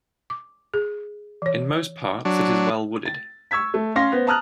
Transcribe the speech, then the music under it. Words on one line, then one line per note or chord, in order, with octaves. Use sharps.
In most parts it is well-wooded.
D6
G#4
E3 C#5
F#3 D4
A6
C#6 E6 G#6 B6
A3
C#4 F5 C6 A#6
B3 B4 C5
A5 A#5 D#6 F6 F#6